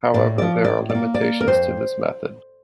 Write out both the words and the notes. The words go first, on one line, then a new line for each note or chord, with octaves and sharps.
However there are limitations to this method.
A2 D5
F3 D5
A2 D5
D5
A#3
D5
A#3
A#4
F2 C5